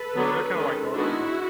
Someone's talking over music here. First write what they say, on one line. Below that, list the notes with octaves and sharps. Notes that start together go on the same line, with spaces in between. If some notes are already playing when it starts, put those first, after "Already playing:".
They're kinda like Garfield.
Already playing: A4 B4
D3 F#3 B3 D4
D#3 G#3 C#4
D#3 G#3 B3 D4 E4 F#4